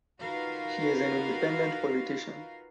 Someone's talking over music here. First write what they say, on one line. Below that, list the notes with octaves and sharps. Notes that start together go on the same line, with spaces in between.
She is an Independent politician.
D#4 F4 F#4 A#4 B4 F5